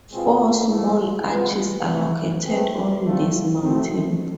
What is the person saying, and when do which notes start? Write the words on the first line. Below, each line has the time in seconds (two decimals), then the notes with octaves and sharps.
Four small arches are located on this mountain.
0.11 B2 G#3 C4 F4 B4
0.70 A2 F3 A3 E4
1.28 C3 E3 B3 F4 B4
1.87 C3 E3 A3
2.46 A3 C4 G#4 B4
3.03 D3 A3 C4 F4
3.62 B2 A3 C4